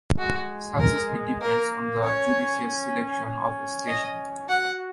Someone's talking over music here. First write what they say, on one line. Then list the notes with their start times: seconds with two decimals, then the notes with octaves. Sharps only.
Success mainly depends on the judicious selection of a station.
0.18 G#3 F#4
0.79 A#4
1.41 A#3 A#4
2.03 C#4 C#5
3.25 C#4
3.87 D#5
4.49 F#4 F#5